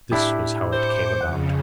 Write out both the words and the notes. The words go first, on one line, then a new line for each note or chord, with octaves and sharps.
This was how it came about.
A2 D4 E4 G4
C5 D6 G6 C#7
F2 C#3 F#5